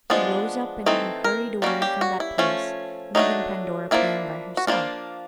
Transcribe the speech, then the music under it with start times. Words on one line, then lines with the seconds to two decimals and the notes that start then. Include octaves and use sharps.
He rose up and he hurried away from that place, leaving Pandora playing by herself.
0.10 F3 G#3 B3 D4
0.86 E3 A3 C4 D#4 A4
1.24 A#4
1.62 G3 A#3 C#4 F#4
1.82 G4
2.01 F#4
2.20 E4
2.38 F3 A3 C#4
3.15 F#3 A3 D4 D#4
3.91 F3 A#3 D4 E4
4.57 F#4
4.67 F3 A#3 D4 F4